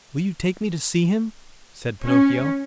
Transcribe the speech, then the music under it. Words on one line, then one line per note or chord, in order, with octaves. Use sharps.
"Will you take me to see him?" said Pinocchio.
C#4